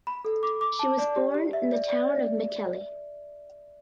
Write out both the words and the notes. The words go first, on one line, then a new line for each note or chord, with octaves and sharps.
She was born in the town of Mikkeli.
B5
A4
D6
D6
A5
D5
G4
G4
E5
D5
D5